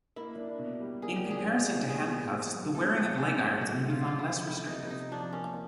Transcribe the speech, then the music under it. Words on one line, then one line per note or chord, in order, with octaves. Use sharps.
In comparison to handcuffs the wearing of leg irons may be found less restrictive.
A#3 E4
D4
B2
G3
A#3 G#4
G4
D4
G#4
B2
G3
B3 G#4
A#2
A#2
F#3
B3 A4
A#2
A#2 G#4
F#3
A3 F#4
C3
F4
C3 F4
E4
F3
A3 E4
C3 D#4
C3 D#4
F3 D4
A#3 C#4